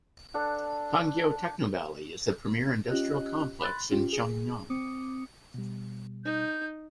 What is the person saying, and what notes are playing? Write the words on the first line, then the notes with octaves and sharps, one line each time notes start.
Pangyo Technovalley is the premier industrial complex in Seongnam.
D4 A4 F#5
C#4 F4 G4 D#5 F#6
B5 C6 F#6 A6
C#4 F4 G4
G#4
C4 D6 D#6 C#7
B2 G3
D#4 G6